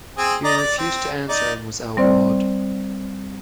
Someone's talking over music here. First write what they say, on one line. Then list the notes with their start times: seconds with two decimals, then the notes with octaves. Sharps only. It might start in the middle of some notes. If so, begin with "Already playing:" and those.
He refused to answer and was outlawed.
0.17 C4 G#4
0.44 D5 D#5 A#5
0.57 D5
0.78 C4
1.28 D#4 D5
1.97 G3 C4 C5 D5